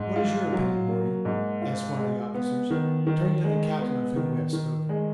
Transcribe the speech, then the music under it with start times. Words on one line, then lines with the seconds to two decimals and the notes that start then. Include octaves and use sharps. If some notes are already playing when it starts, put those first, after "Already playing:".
"What is your opinion, Morgan?" asked one of the officers, turning to the captain of whom we have spoken.
Already playing: G#2
0.16 F4
0.52 F#3
0.88 A#3
1.25 G#2
1.62 F4
1.97 G#3
2.34 B3
2.70 D#3
3.07 D#3
3.44 G#3
3.80 B3
4.16 D#3
4.53 D#3
4.89 G#3